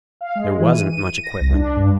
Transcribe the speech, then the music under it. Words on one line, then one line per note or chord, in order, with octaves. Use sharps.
There wasn't much equipment.
F5
G#3
E3
D#7
D#7
A#6
C2
D4
G2